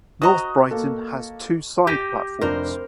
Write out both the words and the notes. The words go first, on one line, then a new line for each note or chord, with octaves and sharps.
North Brighton has two side platforms.
F#4 C5 D#5 A#5 D#6
A#3 A4
G4 G6 A#6 D#7
F1 D4 A#4 C5